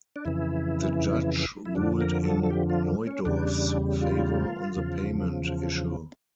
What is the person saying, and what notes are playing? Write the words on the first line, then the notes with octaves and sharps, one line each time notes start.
The judge ruled in Neudorf's favour on the payment issue.
D4
F2 C#3 E3 E4
E4
F2 D3 F3 D4
A#4
A4
A4
G4
F4
C#4
E2 C#3 G3 D4
F4
E2 C#3 F3